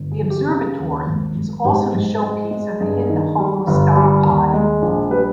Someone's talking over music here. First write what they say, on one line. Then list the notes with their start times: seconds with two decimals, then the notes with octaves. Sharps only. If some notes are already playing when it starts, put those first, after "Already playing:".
The Observatory is also the showpiece of the Hidden Hollow star party.
Already playing: G1
0.12 G#4
0.21 E3
0.30 G4
0.49 C#3
0.78 D#2
1.07 G#1
1.36 G#1
1.64 G#2 G4
1.94 G#2
2.22 G#3
2.51 G#3
2.80 G2 G#4
3.10 D#3
3.38 G3
3.67 G1
3.96 G3
4.25 D#2
4.54 G#3
4.82 A#1
5.11 G3 B4